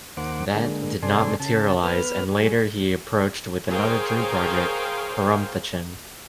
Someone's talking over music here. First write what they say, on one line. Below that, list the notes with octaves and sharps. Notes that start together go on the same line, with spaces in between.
That did not materialise and later he approached with another dream project "Perumthachan".
D#2 A#3 C5 F#5 D6
D3 G#3 A#3
G2 C3 A4 D5 G#5 C6
C#3 A5
B3 B4 F6
G3 G#4
G#4 A#4 C5 C#5 F5 G5